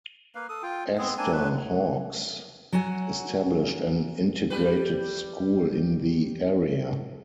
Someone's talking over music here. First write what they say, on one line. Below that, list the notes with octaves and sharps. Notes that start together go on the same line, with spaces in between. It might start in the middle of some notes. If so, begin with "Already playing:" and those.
Esther Hawks established an integrated school in the area.
A#3 B4 F5
A4 D#6
F4 G5
G#3 B3 C4 G#4
A#3 C4 D4 G#5
F#3 D4 B4
F#3 F#4 F#5 G#5
G3 B4